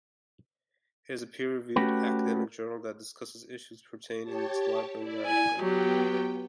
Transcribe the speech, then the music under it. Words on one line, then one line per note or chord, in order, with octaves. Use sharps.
It is a peer-reviewed academic journal that discusses issues pertaining to library management.
A3 C#4 F#4 G4 B4
G4 C#5 A5
E4 D5
G#5
F#3 B3 G4 G5